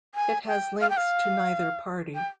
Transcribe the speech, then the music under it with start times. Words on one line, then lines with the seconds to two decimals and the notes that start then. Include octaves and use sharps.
It has links to neither party.
0.15 G#5
0.47 G5
0.81 F5
0.90 G5
0.97 F5
2.15 G5